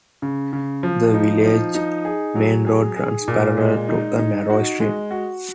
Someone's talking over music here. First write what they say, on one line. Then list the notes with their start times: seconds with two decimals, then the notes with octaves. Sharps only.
The village main road runs parallel to a narrow stream.
0.22 C#3
0.53 C#3
0.83 F3
1.14 D#4
1.44 F3
1.75 D#4
2.05 G#4
2.35 F#3
2.67 G#4
2.96 G#4
3.28 A#2
3.58 G#3
3.89 D#4
4.19 D#4
4.50 F#4
4.80 G#3
5.11 F#4